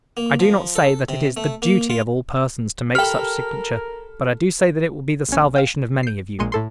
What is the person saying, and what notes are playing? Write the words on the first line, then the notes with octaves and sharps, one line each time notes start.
I do not say that it is the duty of all persons to make such signature; but I do say that it will be the salvation of many of you.
A#3
F3
A4
C3
A3
A#3
F4
G4 A4 A#4 G5 B5 F6
A#1 C#4
F5 G5
G6 C7
A#1 A#2 G#3 C6 C#7 D#7
A2 A4 C6